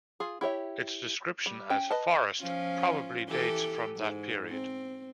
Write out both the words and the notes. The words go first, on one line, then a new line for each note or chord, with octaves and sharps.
Its description as 'forest' probably dates from that period.
F4 G#4
E4 G4 C#5 E5
G3
C#4 G5
B4 D#5 A5
F3 C#4 F4
E3 G4 A4
G#2
C4